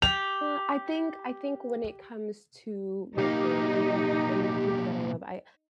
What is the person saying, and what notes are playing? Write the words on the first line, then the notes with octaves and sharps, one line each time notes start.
uh, I think I think when it comes to my family and the people that I love, I
G4 F7
B1 A#3 D#4 G4